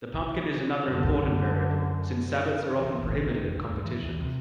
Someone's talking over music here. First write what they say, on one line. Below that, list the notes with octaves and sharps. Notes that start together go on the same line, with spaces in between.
The pumpkin is another important variable since sabots are often prohibited in competitions.
F#2 D3
E3
G#1
D#3
F1
D#2
G2
E3
D#2
C3